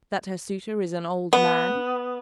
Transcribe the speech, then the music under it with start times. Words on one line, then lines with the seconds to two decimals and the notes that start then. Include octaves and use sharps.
That her suitor is an old man?
1.33 B3